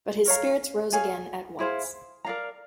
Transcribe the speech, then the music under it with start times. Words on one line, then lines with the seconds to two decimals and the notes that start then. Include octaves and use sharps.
But his spirits rose again at once.
0.25 A#4 C#5 F5 A#5
0.92 G#4 C#5 F5 G#5
1.59 E4 G#4 C5 F5
2.25 A#4 D5 F5 A#5